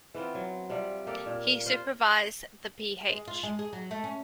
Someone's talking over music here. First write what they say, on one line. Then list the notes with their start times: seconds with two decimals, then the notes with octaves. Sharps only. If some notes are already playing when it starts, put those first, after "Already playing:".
He supervised the Ph.
0.15 E3 B3 C4 F4
0.35 F#3
0.70 C3 F3 G3
1.07 A#3 G4 A4
1.26 A#2
1.66 F4 C5
3.09 G#3
3.28 F4
3.43 G#3
3.59 G#4
3.73 F#3
3.91 A3
4.04 C#4